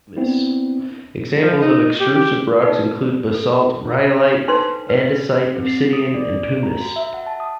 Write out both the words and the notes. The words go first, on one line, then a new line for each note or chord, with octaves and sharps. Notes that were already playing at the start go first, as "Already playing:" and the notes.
Examples of extrusive rocks include basalt, rhyolite, andesite, obsidian and pumice.
B3 C4 D4 E4
F3
D#4
G4
G4
D#4 A4 B4 D5
A4
D4 D#4 A4 B4 C5 C6
B4
C4
C7
A6
D#6
D5
D7
A#5
F#4
E5
F#5
A5
D#6